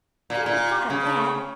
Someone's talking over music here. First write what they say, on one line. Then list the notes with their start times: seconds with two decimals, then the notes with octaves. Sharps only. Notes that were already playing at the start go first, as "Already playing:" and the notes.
I never thought of that.
0.30 A#2
0.46 A#2
0.90 C#3